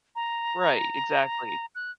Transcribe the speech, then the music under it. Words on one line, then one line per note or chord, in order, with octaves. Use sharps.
right, exactly.
A#5
F#6